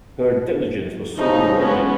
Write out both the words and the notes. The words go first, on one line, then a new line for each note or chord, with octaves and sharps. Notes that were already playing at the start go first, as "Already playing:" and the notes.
Her diligence was soon rewarded.
C#3 F3 A3 D#4
G#3 B3 C#4